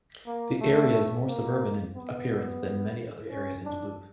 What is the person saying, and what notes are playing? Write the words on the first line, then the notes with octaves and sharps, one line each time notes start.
The area is more suburban in appearance than many other areas in Duluth.
A#3
A3
A#3
B3
C#4
D4